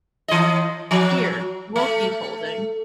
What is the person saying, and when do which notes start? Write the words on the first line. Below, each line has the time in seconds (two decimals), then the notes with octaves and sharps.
Here, we’ll keep holding.
0.28 E3 D#5
0.91 F3 F#3
1.76 A3